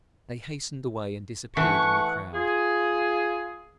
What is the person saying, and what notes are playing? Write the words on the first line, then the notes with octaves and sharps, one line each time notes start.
They hastened away and disappeared in the crowd.
E3 A3 F#5 C#6
F4 G#4